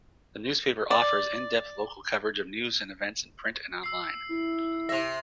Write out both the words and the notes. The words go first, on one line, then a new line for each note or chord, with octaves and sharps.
The newspaper offers in-depth local coverage of news and events in print and online.
D5
E6 C7
E4
C3 E5 A#6 F7